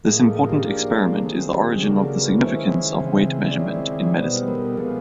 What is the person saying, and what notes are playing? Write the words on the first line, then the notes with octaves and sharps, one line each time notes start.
This important experiment is the origin of the significance of weight measurement in medicine.
A2 F3 A#3 D#4 G#4
A4
G#4
G#4
G4
F3 A#3 D4 G#4
D#3 G#3 C4 A4
G4
C#3 F#3 A#3 D4 G#4
G#4
A4
B4
D#3 G#3 C#4 E4 C5
C#3 E3 G#3 C4
D5
D#3 G#3 C4 E4 C#5
D5
D5
D5
B2 G3 B3 D#4 C5
B4
A#4
A4
F3 G#3 B3 G#4